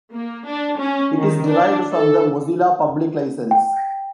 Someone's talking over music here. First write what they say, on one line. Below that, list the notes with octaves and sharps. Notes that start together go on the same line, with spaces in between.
It is derived from the Mozilla Public License.
A#3
D4
C#4
D#3
D4
A4
G5